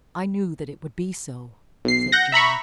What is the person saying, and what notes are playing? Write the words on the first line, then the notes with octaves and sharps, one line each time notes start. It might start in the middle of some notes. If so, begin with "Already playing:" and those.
"I knew that it would be so," said John.
B1 C7
F#5 G6 A#6
E5 A#5 B5 C#6